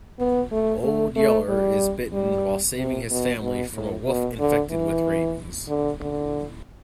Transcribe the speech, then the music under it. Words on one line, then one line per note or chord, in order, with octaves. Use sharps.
Old Yeller is bitten while saving his family from a wolf infected with rabies.
B3
A3
A3
A3
G3
G3
C3
B2
B2
A2
B2
D3
E3
D3
D3